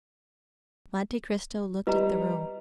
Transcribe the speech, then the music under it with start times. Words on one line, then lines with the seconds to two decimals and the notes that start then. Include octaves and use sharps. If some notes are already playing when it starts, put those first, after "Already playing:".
Monte Cristo looked at the room.
1.87 G3 B4 D#5 A#5